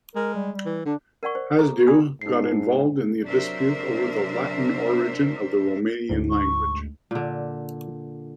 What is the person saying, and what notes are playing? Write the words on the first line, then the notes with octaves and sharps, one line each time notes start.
Hasdeu got involved in the dispute over the Latin origin of the Romanian language.
G#3 A#4
G3
G3
E3
D3 D4
A#4 D5 F#5 C#6
C5
G#4 A4 A#5
F4 D5 G#5 D#6
G#2 D#4 C7
C3 F#3 D4 A#4 C5 E5
D2 G#2
C#6
A#2 D3